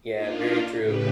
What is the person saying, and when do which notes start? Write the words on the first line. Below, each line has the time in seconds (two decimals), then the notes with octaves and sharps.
Yeah, very true.
0.13 A#3 D4 D#4 F4
0.76 A2 C#3 G4 B4